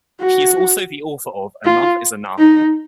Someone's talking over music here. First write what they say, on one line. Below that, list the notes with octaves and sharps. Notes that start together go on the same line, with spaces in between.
He is also the author of Enough is enough!
F#4
F4
D#4